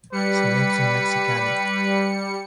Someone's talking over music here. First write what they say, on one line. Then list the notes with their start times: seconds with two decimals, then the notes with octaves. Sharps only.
She lives in Mexicali.
0.12 G3 B4 C#7